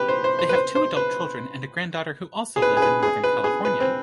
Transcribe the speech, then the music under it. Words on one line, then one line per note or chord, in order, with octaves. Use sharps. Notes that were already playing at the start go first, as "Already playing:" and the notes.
They have two adult children and a granddaughter who also live in Northern California.
Already playing: G4 B4
C5
C5
C5
B4
C5
C5
B4
G#4
B4
G#4
B4
G#4
B4
G#4
B4
C4